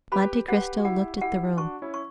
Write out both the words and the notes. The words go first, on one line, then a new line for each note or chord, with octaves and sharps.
Monte Cristo looked at the room.
G4 B4 B5
G4 B4 F#5
F#4
E4 G4 F#5
F#4
E4 G4 F#5
D4 F#4 C#6
C#4 E4
C#6